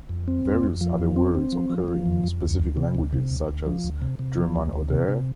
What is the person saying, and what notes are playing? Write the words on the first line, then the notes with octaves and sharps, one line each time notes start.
Various other words occur in specific languages, such as German oder?
F2
C4
F2
F2
F3
F2
C4
C4
F3
F3
F3
F2
F2
D2
D2
C3
D2
C3
D2
D2
F3
D2
C3
C3
F3
D2
D2
C3
C3